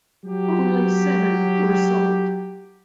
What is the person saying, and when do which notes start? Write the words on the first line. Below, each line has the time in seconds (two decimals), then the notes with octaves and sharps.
Only seven were sold.
0.25 F#3 G4